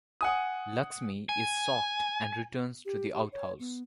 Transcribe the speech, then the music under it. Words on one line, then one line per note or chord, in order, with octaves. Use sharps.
Lakshmi is shocked and returns to the outhouse.
F#5 G#5 D#6
G#5
G4
G4
C#5
B3